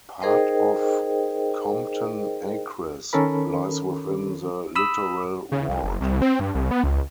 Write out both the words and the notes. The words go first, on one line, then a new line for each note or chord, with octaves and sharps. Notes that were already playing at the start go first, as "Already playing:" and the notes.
Part of Compton Acres lies within the Lutterell Ward.
D#4 G#4 A#4 C5 D#5 G5
D#3 C#4 A4 A#4 B5
B5 D#6 E6
C#3
C2
F#1
C2
C4
G2
C2
B3
C#2